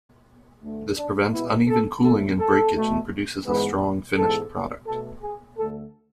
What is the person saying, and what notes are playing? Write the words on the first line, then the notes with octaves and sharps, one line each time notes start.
This prevents uneven cooling and breakage and produces a strong finished product.
D2 D3 A3
D4
B2 G#3 B3 E4
A4
F#2 D3 A3 A4
A4
B2 A3
G#2 E3 G#3 B3 B4
G#2 E3 G#3 B3 A4
B2 A3 A4
G#4
D2 D3 A3 A4